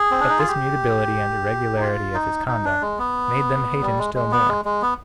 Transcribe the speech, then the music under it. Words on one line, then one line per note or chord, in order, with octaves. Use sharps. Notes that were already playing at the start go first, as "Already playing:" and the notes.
But this mutability and irregularity of his conduct made them hate him still more.
Already playing: G#4
C4
D4
D#4
F4
G4
D#4
F4
D#4
D#4
D4
G#3
B3
G3
G#3
G#3
B3
G#3
G#3
B3